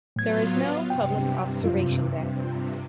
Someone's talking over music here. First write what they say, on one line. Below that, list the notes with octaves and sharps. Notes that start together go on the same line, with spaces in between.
There is no public observation deck.
A2 F#3 B3 F4 G#6
G2 C3 G5
F#2 F4